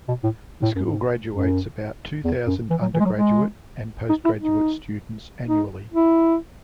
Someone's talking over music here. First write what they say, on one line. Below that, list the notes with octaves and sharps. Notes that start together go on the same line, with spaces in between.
The school graduates about two thousand undergraduate and postgraduate students annually.
B2
A2
A2
F#2
G#2
F#2
E2
F#2
E3
F#3
E3
G#3
F#3
G#3
D#4
E4
D#4
D#4
E4